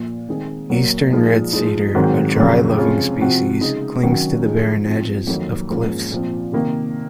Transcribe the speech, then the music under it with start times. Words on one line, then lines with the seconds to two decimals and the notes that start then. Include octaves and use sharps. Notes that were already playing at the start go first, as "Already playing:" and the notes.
Eastern red cedar, a dry-loving species, clings to the barren edges of cliffs.
Already playing: A#2 F3 A#3
0.28 D#3 G#3 C4 D#4 G#4
0.70 A#2 F#3 A#3
1.12 A#2 F3 G#3 D#4
1.53 F3 G#3 D#4
1.95 G#2 D#3 F#3 C4 F#4
2.37 F2 C#3 F#3
2.78 C3 F3 G#3 C#4 F4
3.20 C3 F3 C4 F#4
3.61 C#3 G#3 D#4
4.02 C3 D#3 F#3 C#4 F#4
4.44 F3 G#3 D#4 G#4
4.86 F3 C4 D#4
5.27 F2 D#3 F#3 A#3 D#4
5.70 G#2 F3 A#3 C#4
6.12 A#2 F3 C4
6.52 C3 D#3 A#3